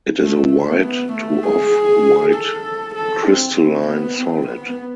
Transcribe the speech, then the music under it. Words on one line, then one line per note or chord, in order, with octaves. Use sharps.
It is a white to off-white crystalline solid.
A3
A3
B3
A3
G#4
A4
A4
C4
C4
B3
C4
B3